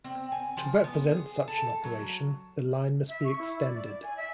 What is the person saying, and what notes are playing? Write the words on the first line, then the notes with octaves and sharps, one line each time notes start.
To represent such an operation, the line must be extended.
C4
G#5
F3
B3
G#4
A4
F#3
E5
C#6
E4
D5
D5
D5
G#5
E5